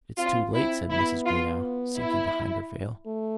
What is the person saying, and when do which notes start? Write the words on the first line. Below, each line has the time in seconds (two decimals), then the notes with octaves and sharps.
"It's too late," said Mrs. Greenow, sinking behind her veil.
0.18 C4 F4
0.54 C4 E4
0.90 B3 E4
1.26 F4
1.98 E4
3.07 A3